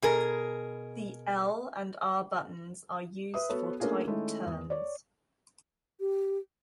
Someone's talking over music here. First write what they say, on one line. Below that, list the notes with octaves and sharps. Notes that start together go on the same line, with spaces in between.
The L and R buttons are used for tight turns.
B2 G#4 A#4
B4 E5 D#6
B3 F#4 A4 B4 C#5
A3 A#3 C#4 D4 F4 G#4
D#3 G#3 A3 C#4 E4
E2 D#6
C#5 D5
G4